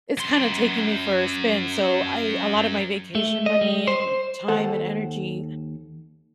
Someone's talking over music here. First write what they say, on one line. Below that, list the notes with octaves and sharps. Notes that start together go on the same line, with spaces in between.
it's kinda taking me for a spin, so I a lot of my vacation money, and time, and energy
F#2 C6
A3
D#5
G3
C5
D#2 A4 C5 F#5